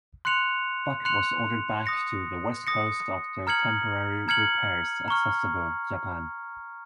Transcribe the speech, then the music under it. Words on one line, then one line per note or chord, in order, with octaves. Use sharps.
"Buck" was ordered back to the west coast after temporary repairs at Sasebo, Japan.
C6 F#6 C#7 F7
C6 F#6 C#7 F7
D#6 A#6 C#7
D#6 A#6 C#7
A#5 F6 G#6 C#7 F#7
A#5 F6 G#6 C#7 F#7
A#5 C#6 F6